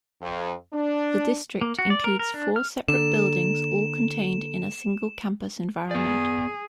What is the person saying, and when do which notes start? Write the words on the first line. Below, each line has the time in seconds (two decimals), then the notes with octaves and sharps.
The district includes four separate buildings all contained in a single-campus environment.
0.21 F2
0.73 D4
1.61 A#3
1.79 F#4
1.90 D5
2.04 A#4
2.19 A#4
2.34 D4
2.56 F6
2.88 D3 A#3 A4 E7
5.91 B3 G#4 D5